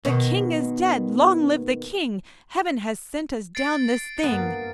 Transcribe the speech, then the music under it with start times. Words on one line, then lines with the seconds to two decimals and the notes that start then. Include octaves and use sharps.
'The King is dead, long live the King! Heaven has sent us down this thing.'
0.05 B2 D#3
3.55 A6 C7 D7
4.23 G2 A#3 B3